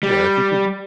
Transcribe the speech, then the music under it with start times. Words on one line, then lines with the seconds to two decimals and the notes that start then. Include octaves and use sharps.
Yeah, if you could
0.03 G3